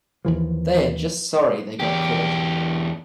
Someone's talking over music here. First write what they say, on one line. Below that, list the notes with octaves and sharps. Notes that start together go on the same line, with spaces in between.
They are just sorry they got caught.
D#2 E3 F3
E2 G4